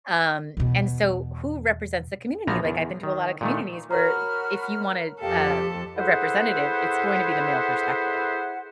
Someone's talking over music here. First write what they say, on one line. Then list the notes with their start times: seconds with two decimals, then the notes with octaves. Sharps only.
um, and, so, who represents the community? Like, I've been to a lot of communities where i if you wanted, uh, a representative, it's going to be the male perspective
0.57 E2 B2
2.47 A#1 E3 F3 B3 A#5
2.65 E2
3.03 D#3
3.41 A#2 D#3 A3
3.91 F#4 A#4 C#5 A#5 B5 F6
5.22 F2 G4 A4 D#5 F5 G5
5.96 E4 G#4 A4 B4 C5 F#5